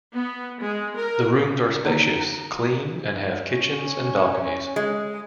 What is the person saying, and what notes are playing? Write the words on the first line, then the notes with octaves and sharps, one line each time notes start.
The rooms are spacious, clean and have kitchens and balconies.
B3
G#3
A#4
D3 A#3 D#4 A#5
C#4
G#3